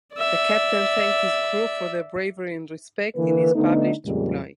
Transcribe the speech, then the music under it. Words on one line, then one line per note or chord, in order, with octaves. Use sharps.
The captain thanked his crew for their bravery and respect in a published reply.
D5 E5
D3 E3 A#3 B4
D3 A3 B3 D4 D#4
F2 A#2 C#3 G3 G#3 A#3